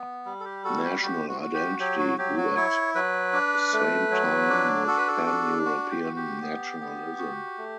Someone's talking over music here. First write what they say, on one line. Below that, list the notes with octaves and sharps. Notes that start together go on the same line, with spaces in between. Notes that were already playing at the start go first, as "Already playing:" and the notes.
National identity grew at same time with Pan-European nationalism.
Already playing: B3
G3
A4
G4
F#4 A4
G4
F#4 G4
F#4
F#4
G4
F#3 G4
F#4
F#3 G4
F#4
E4 C#5
F#3 B4
D4
A3
F#3
D4
F#4 A4
B4
A4
D4
F#4
G4
F#4
G4
B3
B3
F#4
A3